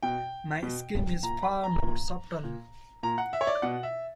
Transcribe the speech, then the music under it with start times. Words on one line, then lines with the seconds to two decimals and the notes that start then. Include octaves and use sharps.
My scheme is far more subtle.
0.03 B2 G5
0.63 B2
1.23 A#2 A#5
1.43 B5
1.64 A#5
1.83 A#2
2.44 A#2
3.03 A#2 A#5
3.18 F#5
3.33 E5
3.41 C#5
3.47 D5
3.62 B2 F#5
3.83 E5